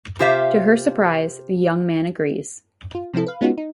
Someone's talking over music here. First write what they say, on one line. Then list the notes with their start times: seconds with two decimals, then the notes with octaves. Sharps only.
To her surprise, the young man agrees.
0.19 C3 F4 G4 C5 E5 F5
2.95 F4
3.13 C3 F3 C4 E4 A4
3.27 B4 F5
3.41 G#3 B3 C#4 D#4 F4 F#4
3.58 D#4